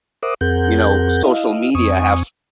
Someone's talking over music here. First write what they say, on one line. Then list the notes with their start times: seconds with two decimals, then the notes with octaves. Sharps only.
you know, social media have s
0.23 A#4 C5 E5 F#5 D6 D#6
0.41 F2 C4 G#4 A#4 F#5 G6
1.24 E4 D#5 F5
1.75 F2 C4 G#5 C#6 D#6